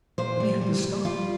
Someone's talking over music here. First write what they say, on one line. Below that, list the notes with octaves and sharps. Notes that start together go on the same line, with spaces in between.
Then he had to stop.
A#2 C5
G3
G3
G3
G3 F4